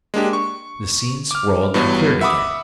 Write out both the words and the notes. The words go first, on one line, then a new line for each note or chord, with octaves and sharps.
The scene swirled and cleared again.
G#3 A#3 D4 G4
C#6
D6 F6
G2 E3 F#3 B3
E5 F#5 B5 D6 D#6